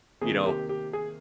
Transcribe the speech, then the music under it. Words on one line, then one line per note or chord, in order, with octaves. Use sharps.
you know
C3 D#3 A#3 G#4
G4
G4
G#4